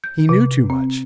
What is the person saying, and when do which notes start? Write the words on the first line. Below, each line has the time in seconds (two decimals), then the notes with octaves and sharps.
He knew too much.
0.04 G6
0.29 C3
0.70 C4